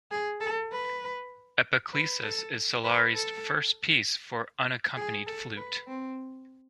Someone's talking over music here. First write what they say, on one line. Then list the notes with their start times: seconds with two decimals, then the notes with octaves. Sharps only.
Epiclesis is Solare's first piece for unaccompanied flute.
0.11 G#4
0.41 A4
0.72 B4
1.93 B4
2.23 A4
2.84 B4
3.14 A4
4.96 G#4
5.26 A4
5.57 B4
5.87 C4